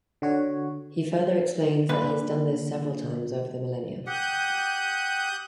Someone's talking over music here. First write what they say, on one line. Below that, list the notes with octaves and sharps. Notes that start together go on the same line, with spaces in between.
He further explains that he has done this several times over the millennia.
D3 F#4 C#5
A#2 D3 B4
G4 F#5 D#6 F#6 G6